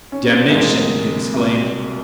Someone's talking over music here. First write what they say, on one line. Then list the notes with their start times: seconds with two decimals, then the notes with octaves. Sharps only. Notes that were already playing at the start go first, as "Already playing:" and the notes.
"Damnation!" he exclaimed.
0.12 C#4
0.24 C4
0.37 B3
0.49 D2 C3 E3 G#3 A#3
1.34 C2 B2